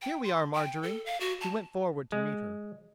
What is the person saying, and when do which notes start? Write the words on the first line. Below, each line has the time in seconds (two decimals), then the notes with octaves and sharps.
"Here we are, Marjorie." He went forward to meet her.
0.02 G5
0.24 C6
0.53 G5
0.83 A4
1.06 F5
1.20 F#4
1.41 A5
2.12 G#3